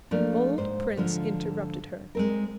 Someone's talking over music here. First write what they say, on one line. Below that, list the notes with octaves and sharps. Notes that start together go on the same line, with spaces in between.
The old prince interrupted her.
F3 A3 A#3 D4 F4
G#2 C5
G#2 D3 F3 F4
G#3 C4 A#4